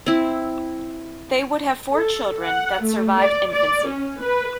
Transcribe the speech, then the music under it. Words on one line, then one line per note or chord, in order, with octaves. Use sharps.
They would have four children that survived infancy.
C4 E4
A4
F#5
A3
D5
D5
C#4
B4